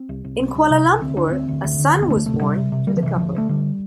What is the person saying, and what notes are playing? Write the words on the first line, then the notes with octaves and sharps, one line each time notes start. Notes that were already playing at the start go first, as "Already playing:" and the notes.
In Kuala Lumpur, a son was born to the couple.
Already playing: C4
C2
C2
C2
C2
C3
C2
D2 C4
D3 D4
D2 C4
D2
D2
D3
D3
B3
D2 A3
C3 A3
C3 G3
C3
C3
D2 G3
F3
C3 E3
D2 F3
D2 A3
D3 G3